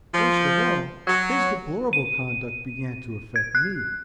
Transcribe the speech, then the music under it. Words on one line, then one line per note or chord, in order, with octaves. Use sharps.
Worst of all, his deplorable conduct began to affect me.
F3
F#3
D#7
G#6
F#6